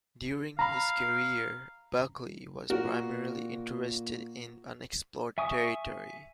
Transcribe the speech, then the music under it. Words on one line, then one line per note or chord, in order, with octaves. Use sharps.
During his career, Buckley was primarily interested in unexplored territory.
F5 A#5 B5
A#2 F#4 A#4
E5 G#5 C#6 D#6